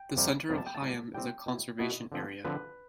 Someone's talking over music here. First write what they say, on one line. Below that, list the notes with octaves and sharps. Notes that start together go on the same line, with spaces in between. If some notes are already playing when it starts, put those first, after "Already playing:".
The centre of Higham is a conservation area.
Already playing: G5
F2 C3 G3
F2 C3 G3
A5
G5
A5
A2 G3 C4
A2 G3 C4 G5
B2 B3 E4
B2 B3 E4
D3 F3 C4
D3 F3 C4 B4